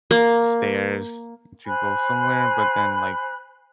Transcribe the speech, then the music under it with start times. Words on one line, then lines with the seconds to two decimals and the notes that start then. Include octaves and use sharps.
stairs to go somewhere, but then, like,
0.11 A#3
1.66 C5 G#5 B5 F#6